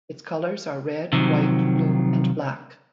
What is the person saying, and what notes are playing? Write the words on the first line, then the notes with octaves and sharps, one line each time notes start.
Its colours are red, white, blue and black.
C3 D#3 F3 F#3